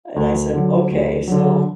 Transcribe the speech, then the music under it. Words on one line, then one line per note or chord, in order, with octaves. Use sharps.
and I said, "Okay," so,
D2
D3 F#3
D2
D3 F#3